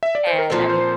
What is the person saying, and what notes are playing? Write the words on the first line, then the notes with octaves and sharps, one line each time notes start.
And, I mean,
E5
D5
C5
A#4
A#2 F3 C4 A4
C5